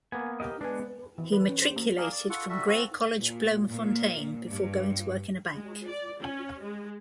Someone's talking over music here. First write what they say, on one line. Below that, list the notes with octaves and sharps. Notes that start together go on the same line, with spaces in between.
He matriculated from Grey College, Bloemfontein before going to work in a bank.
A#3 B3 G#5
G4 A#4 D#5
G#3 B3 D4 B4 G#5
E3
B4
C#4
C5
A#3
A#3 D4 G#4 A#4
D5
F4 A4 F#5 C#6
G3 F#4 A4 E5
C4 F4 F#4 A4
A#2
A#2
G2
G#3
D5
C#4
G#3